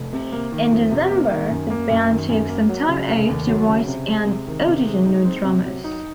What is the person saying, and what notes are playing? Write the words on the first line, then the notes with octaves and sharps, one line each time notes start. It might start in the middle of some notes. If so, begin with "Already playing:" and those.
In December, the band took some time off to write and audition new drummers.
Already playing: F1
C3
A#3
D#3
F2
C3
A#3
D#3
F#2
A#3
F#2
D#3
F#2
A#3
F#3
C#3
F1
D#2
F#3
C#3
C3
G#3
C3
D#3
C3
G#3
D#4
C4
C3
F#3
D#4